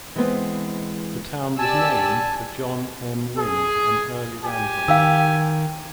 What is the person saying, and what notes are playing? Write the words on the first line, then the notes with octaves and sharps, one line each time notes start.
The town was named for John M. Winn, an early landholder.
E3 G#3 B3 C4
G4 D5 G#5 A5 E6
G#4
G4 G#5
D#3 F5 G5 E6